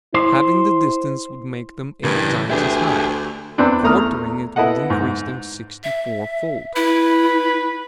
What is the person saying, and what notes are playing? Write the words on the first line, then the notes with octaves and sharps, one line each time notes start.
Halving the distance would make them eight times as high; quartering it would increase them sixty-four-fold.
E4 C5
G2 C#3 E3 A#4
D2 D4 G4 G#4 B4 E5
E2 C4 D4 B4
E2 A3 A#5 D#6 F6
B3 E4 A4 D#5 F#5
G#2
E5
E4 B4